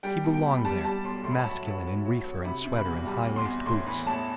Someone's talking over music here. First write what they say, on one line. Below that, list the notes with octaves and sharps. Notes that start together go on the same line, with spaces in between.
He belonged there, masculine in reefer and sweater and high-laced boots.
G3 G5
B2
G5
B2
B5
G3 A5
G3 A5
B1 C6
A2 C6
B5
A5
F#3 B5
F#3
F#3
F#3
F#3
C3 B5
C3
B5
E2
G3
E2
C6
E2
A2 C6
E3 B5
A1 A5